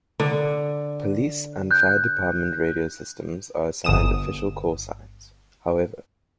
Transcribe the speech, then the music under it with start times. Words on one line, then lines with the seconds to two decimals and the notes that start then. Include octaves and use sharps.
Police and fire department radio systems are assigned official callsigns, however.
0.20 D3
1.71 F#6 G6
3.84 G1 D#6 E7